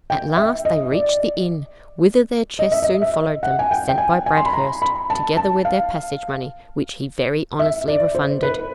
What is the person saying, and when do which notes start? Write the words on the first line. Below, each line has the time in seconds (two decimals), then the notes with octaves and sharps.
At last they reached the inn, whither their chests soon followed them, sent by Bradhurst, together with their passage money, which he very honestly refunded.
0.10 G5
0.37 E5
0.65 D#5
0.92 D5
2.59 D#5
2.72 E5
2.82 D#5
3.02 E5
3.43 F#5
3.59 G#5
3.71 G5
3.89 G5
3.98 G#5
4.26 G#5
4.37 C6
4.46 B5
4.53 A#5
4.82 B5
5.10 A5
5.37 A5
5.65 F5
7.59 E5
7.88 D5
8.15 C5
8.43 B4